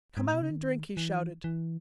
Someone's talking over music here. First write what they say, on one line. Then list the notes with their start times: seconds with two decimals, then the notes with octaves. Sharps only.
"Come out and drink," he shouted.
0.17 G#2
0.26 A2
0.34 B2
0.42 C#3
0.50 D#3
0.97 E3
1.44 E3